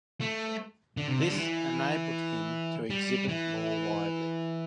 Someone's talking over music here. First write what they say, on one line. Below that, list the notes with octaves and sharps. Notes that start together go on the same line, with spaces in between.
This enabled him to exhibit more widely.
A3
D3
C3
D3
G3
E3
G3
E3